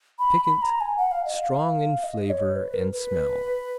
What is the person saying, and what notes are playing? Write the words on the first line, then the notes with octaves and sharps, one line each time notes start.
Piquant, strong in flavor and smell.
B5
B5
A#5
G#5
F#5
F5
D#5
F5
D#5
C#5
B4
A#4
B4